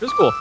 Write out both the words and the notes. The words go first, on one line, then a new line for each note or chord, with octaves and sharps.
it's cool.
D6
E6